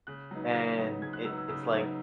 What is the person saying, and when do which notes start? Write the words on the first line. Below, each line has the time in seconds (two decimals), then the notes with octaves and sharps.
And it it’s like
0.07 C#3 F#6
0.31 F#3 B3 D#4
0.54 C#3 F#6
0.78 F#3 B3 D#4
1.02 C#3 G#6
1.13 F#6
1.25 F#3 B3 D#4 E6
1.37 E6
1.49 C#3 E6
1.72 F#3 B3 D#4